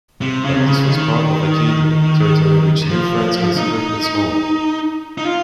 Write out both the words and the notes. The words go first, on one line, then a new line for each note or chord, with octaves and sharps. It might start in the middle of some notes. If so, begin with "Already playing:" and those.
But this was part of Acadia, territory which New France considered its own.
C3
C#3
C3
C#3
D#3
F3
D#4
D#4
F4